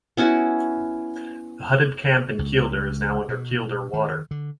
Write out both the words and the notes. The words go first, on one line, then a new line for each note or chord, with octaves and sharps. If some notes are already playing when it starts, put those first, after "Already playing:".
The hutted camp in Kielder is now under Kielder Water.
B3 C#4 E4 F#4
C#2
B2
D#3
D3